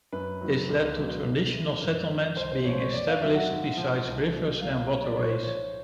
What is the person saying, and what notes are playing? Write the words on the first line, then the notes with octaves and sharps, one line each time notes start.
This led to traditional settlements being established beside rivers and waterways.
F#2 B4
D#3 F#3
C#2
B2 F#3
G#2
E3
F#2 A#4
D3 F3
C2 C5
C5
A#2 F3 C#5
C5
C#5
F2 D5
F5
C3 D#3 F#3 E5
F#5
G#2
F3
C2
B2 F#3
C2 F5
F5
A#2 F#3 C#5
D5
G#2 C#5
C5
F3 C#5